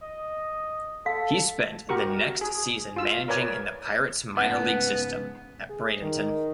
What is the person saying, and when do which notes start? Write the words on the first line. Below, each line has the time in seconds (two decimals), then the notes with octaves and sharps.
He spent the next season managing in the Pirates' minor league system at Bradenton.
0.02 D#5
1.06 A4 F5
1.89 F#4 G4 A#4 C#6
2.41 G#4
2.96 F4 E6
3.28 A#4 B4 C#5 D5 G#5
4.37 G#2 C#3 B3 F#5 A5
5.69 G#4
6.02 D#3